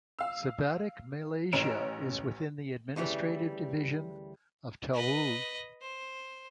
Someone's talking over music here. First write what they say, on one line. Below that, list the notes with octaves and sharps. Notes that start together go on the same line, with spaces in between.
Sebatik Malaysia is within the administrative division of Tawau.
F5 E6
A1 C#4 A#5 D7 E7
D2 C#3 E3 G3
B4 D#5
C5